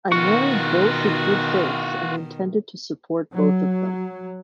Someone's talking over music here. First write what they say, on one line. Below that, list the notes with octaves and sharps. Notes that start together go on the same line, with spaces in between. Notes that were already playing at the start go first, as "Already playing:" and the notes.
I married both in good faith and intended to support both of them.
B2 D#3 F4 F#4 C#6
F#3